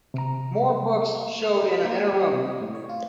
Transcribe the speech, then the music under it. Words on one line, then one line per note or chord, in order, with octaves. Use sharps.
More books showed in an inner room.
C3 A#5
A#3
F6
D#4
B6
A#3
G#5
G3
C3
D#5
A2
C#5
F4